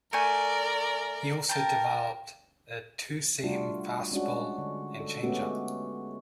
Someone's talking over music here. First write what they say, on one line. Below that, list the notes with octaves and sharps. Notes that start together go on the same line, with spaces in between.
He also developed a two-seam fastball and changeup.
A3 A#4 D5 G#5
A#4 G5 A5
G3 A3 D4 F4 F#4
G#3 C#4 D4 F#4
D3
A4
G#3 A3 B3 C#4 F#4 G4